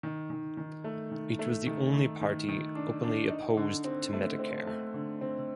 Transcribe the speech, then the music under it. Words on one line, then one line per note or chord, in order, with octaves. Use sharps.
It was the only party openly opposed to Medicare.
D#3
D#3
D#3
A3
D#3
A3
D#3
D#3
D#3
D#3
D4
D4
D#4
D3
C4
A3
C4
A3
D3
C4